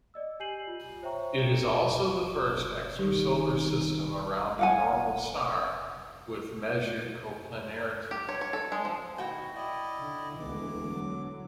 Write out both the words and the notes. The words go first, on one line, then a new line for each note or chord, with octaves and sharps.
It is also the first extrasolar system around a normal star with measured coplanarity.
D5 D#5 E6
G4 G#5 G6 C7 D#7 F#7
F4
C5 C#5 E5 G5 A#5 C#6
A4 C#7 E7
B5
D#3 G3 G4
F5 F#5 G#5
G4
C#5
C#5
A4
G#3
F3
B2 D#3 E4 F#4 G5
E4 D5 D#5
D3
E1 D2 E3 D6
D3 F#3